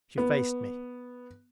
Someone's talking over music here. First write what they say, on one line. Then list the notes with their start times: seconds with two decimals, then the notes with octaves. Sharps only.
She faced me.
0.18 B3